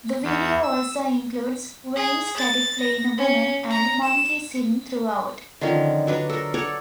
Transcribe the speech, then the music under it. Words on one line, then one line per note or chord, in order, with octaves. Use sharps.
The video also includes Wayne Static playing a woman, and monkeys hidden throughout.
E2
E6
G#4
A6
A#6
C#4
A#5
E7
D3 D#3 F3 C#4
F#3 D4 B4
A4 A#4
A4 C#5 D5 F#5